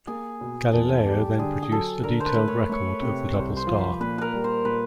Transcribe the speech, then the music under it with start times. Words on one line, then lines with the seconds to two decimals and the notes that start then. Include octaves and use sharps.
Galileo then produced a detailed record of the double star.
0.07 A#3 G#4
0.41 B2
0.73 E2 A4
1.06 G3 G4
1.39 D3 G#4
1.63 G#4
1.71 F#3 A4
2.03 D3 A#4
2.20 C5
2.26 B4
2.37 A3
2.48 C#5
2.69 A3 C#5
3.02 C3
3.34 C2 C5
3.57 C5
3.67 F3
3.78 B4
4.00 A#2 B4
4.18 A#4 B4
4.33 G3
4.44 C5
4.65 A#2 B4